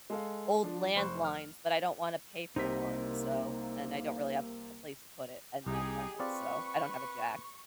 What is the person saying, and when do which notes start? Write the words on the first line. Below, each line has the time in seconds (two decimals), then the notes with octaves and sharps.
old landlines, but I don't wanna pay for one, so and I don't really have a place to put it in my apartment, so I don't have a jack.
0.10 G#3 A4 F5
0.63 F3 D4
0.95 F1 C5 B5 C#6 F#6
1.24 F6
2.56 C2 C3 A#3 D#4 A#4 C5 D#5 B6
5.67 C2 D#4 G4 G#4
6.20 C4 F4 B4 D5 C#6